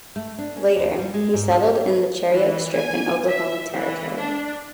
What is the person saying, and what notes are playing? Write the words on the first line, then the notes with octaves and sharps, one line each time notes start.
Later, he settled in the Cherokee Strip in Oklahoma Territory.
A3
D4
C#4
D#2
G3
G#3
G#2
A4
G4
B4
E3
G#5
E5
E3
D4